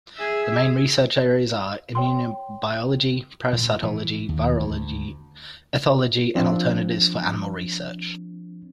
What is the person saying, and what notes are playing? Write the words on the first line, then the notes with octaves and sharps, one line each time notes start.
The main research areas are Immunobiology, Parasitology, Virology, Ethology and Alternatives for Animal Research.
G#4 E5
C#5 G5 C6
A#2
E3
D#2
D2
F3 C4 D4